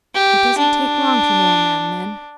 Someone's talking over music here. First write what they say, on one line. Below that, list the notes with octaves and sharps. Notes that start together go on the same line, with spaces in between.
It doesn't take long to know a man then.
G4
D4